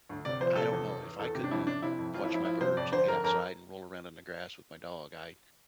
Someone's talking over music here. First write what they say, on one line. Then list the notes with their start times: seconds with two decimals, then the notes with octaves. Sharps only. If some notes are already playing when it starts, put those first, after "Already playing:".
I don't know, if I couldn't watch my birds and get outside and roll around in the grass with my dog, I
0.09 D2
0.25 C3 D5
0.41 F3 C5
0.56 C3 A4
0.72 E2
0.87 E2
1.03 E2
1.19 E2 A4
1.35 C3 G4
1.44 D4
1.51 F2 E4
1.66 F2 D4
1.82 C3 E4
1.98 F2
2.14 F2 F4
2.24 E4
2.29 F3
2.34 E4
2.45 F3 E4
2.60 C3 C5
2.77 F2 D5
2.92 D3 C5
3.08 F2 A#4
3.23 F2 A#4